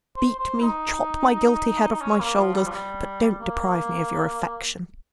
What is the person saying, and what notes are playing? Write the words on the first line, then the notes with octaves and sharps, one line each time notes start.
Beat me, chop my guilty head off my shoulders, but don't deprive me of your affection.
C5
C5
D#4
D#4
C#4
A#3
F3
G3
F3
G3
A#3